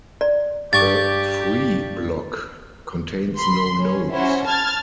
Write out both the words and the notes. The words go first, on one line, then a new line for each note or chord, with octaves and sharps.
A "free" block contains no nodes.
D5
G2 G4 C#6 D6 A6
B5 C6
C#4
C#4 E4 F#4 C5
A5 F6 G#6 A6